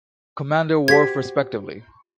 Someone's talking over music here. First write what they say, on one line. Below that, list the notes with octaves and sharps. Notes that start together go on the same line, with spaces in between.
Commander Worf respectively.
F#4 G4 C5 G#6 B6